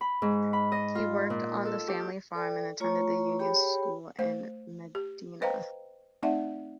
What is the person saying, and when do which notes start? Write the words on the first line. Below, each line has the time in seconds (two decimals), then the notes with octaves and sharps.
He worked on the family farm and attended the union school in Medina.
0.01 B5
0.22 G#2
0.53 B5
0.72 D#5
0.95 F4
1.30 A#2
1.65 A4
1.88 G4
2.35 A4 D5 G5
2.80 A3 F4 C#5 A#5 C#6
3.39 G4 G#4 C#5 G5 B5
4.19 A3 C5 F5
4.95 G4
5.42 B4 C5 D#5 F5 G5 A#5
6.23 A3 C4 D#4 D5 E5 F#5